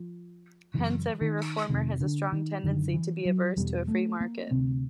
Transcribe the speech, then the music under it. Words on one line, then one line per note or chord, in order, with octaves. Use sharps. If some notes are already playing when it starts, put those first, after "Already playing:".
Hence every reformer has a strong tendency to be averse to a free market.
Already playing: F3
F#2 C#3 E3
D#3
F2 C3 D#3
D3
D#3
F#2 D3 D#3
E3
F#3
E2 B2 G3
A3
A#3
D2 C3 C4